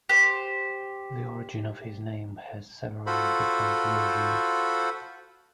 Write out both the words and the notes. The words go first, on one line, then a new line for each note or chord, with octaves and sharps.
The origin of his name has several different versions.
G4 C5
F4 F#4 A4 C5 B5